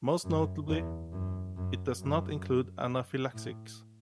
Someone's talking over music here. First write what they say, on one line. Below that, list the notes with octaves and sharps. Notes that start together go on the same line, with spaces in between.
Most notably, it does not include anaphylaxis.
F#2
E2
F#2
F#2
F#2
A2